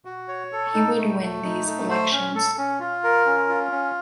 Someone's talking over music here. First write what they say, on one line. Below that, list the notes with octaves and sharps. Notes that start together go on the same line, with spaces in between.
He would win these elections.
F#4
C#5
A4
D#4
A3
A3
D#4
A3
C5
C#4
A4
C#4
F4
A#4
C#4
F4
C#4